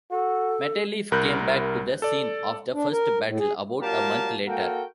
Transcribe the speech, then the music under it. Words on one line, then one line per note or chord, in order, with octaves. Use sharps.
Matelief came back to the scene of the first battle about a month later.
F#4 A4
C2 A#4 B5 F#6 G6
A4 D5
D4
A#4
A2
G#4
A#2 F#3 G4 A#4 F5 A5
A#3 F#4 A4 A#4 G5